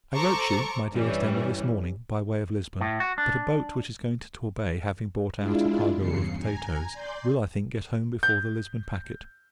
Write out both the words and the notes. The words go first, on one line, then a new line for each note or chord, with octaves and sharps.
I wrote you, my Dearest Emma, this morning, by way of Lisbon; but a boat, which is going to Torbay, having brought out a cargo of potatoes, will I think get home before the Lisbon packet.
A4 C5 A#5 C#6 D6
G2 E3 G3 C#4
A2
F#4
D4
G#3 D4 E4 F4
E2 G2 C#3 C7 C#7
G#5 A#5
D5 C6 G6
G6